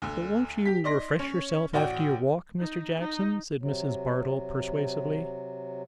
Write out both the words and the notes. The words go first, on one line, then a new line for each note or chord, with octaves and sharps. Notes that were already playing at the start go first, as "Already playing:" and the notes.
'But won't you refresh yourself after your walk, Mr. Jackson?' said Mrs. Bardell persuasively.
D2 D3
G4 B6
D#4 D5 C6 A#6
C#4 C#5
A1 F#4 D5 G5
D#4
D#4
C3 F#3